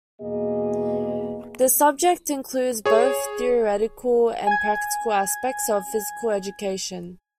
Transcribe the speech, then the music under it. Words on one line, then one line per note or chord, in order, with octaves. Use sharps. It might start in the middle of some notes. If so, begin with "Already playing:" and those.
This subject includes both theoretical and practical aspects of Physical Education.
E2 B2 A#3 G#4 D#5
G#4 C#5
G#5 G#6